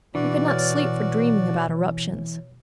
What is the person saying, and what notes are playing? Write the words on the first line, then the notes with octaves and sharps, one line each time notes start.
I could not sleep for dreaming about eruptions.
B2 E3 D4 F#4 D5
C#5 F6 A6